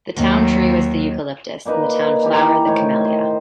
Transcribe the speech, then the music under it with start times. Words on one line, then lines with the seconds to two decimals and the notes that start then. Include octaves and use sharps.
The town tree was the eucalyptus, and the town flower the camellia.
0.17 D#2 F#3
1.66 A#2 A#3 D#4 B4
2.23 E3 E4 G4 A#5
2.67 A2 D#3 C5 C#5
3.05 C5 D#5